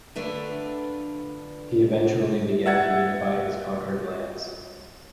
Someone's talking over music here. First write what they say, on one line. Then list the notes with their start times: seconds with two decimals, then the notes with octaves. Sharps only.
He eventually began to unify his conquered lands.
0.15 D3 A3 D4 F4 B4
2.66 E5 F#5 G#6 A6